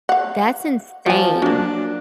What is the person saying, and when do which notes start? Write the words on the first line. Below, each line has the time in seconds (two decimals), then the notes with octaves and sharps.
That's insane.
0.09 F5 F#5
1.06 F3 F#4 G#5
1.42 F#3 A#3 D4